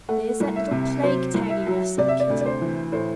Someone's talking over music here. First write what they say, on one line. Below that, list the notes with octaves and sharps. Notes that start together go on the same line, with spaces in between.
"There's that little plague tagging us," said Kitty.
A3 F#5
C2
E5
C3
F#3 C5
C2
E5
F#3
C3 D5
E5
D5
D2
D5
C5
E3
A2 C5